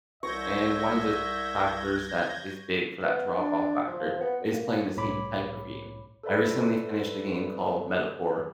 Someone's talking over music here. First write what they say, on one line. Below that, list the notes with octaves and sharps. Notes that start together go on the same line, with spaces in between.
and one of the factors that is big for that drop-off factor is playing the same type of game. I recently finished a game called Metaphor,
C2 C#5 E5 G6 G#6 A#6
B3
D4
F3
B3
F#2
A#3
C2 A2 C#5 B5 D6
A4 B4 C5 D5 E5 B5